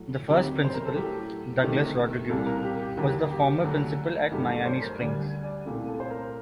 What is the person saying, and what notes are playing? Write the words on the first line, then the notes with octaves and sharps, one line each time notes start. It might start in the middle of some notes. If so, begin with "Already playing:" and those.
The first principal, Douglas Rodriguez, was the former principal at Miami Springs.
Already playing: A2 F#3 A3
D2 C3 D#3 F#3 G4
C5
A#4
A4
A2 F#3 A3 G4
C2 C3 D#3 A3 G4
C2 A#2 G3 A4
A#4
G4
G4
D#2 D3 F#3 G4
G4
D2 D3 F#3 A3
G2 D#3 F#3 A3 G4
A4
D5
C5
A#4
D2 D3 G3 D5
D5
C2 A#2 A3 G4
A4
C5
A#4